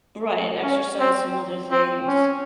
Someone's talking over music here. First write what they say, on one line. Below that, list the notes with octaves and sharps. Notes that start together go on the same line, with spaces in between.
Right, exercise some other things.
C#4
C4
C4
C#4